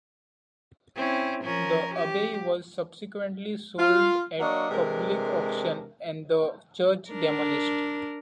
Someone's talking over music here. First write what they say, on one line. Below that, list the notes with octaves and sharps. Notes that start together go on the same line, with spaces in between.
The abbey was subsequently sold at public auction and the church demolished.
C4 C#4 E4
F3 C#4 A#4
G4
F4
F#3 A#3 D4 C#5 D#5
C3 E3 G#3 D4 A#4
D4 A#4